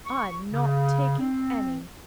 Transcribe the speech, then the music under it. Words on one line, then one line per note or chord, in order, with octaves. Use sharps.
I'm not taking any.
C#6
C#3
C4